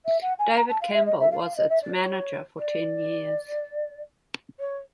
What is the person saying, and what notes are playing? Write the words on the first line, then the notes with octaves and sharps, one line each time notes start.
David Campbell was its manager for ten years.
E5
F#5
G#5
A#5
A5
F5
E5
D#5
E5
F5
F5
D#5
E5
D5
C#5
D5
C#5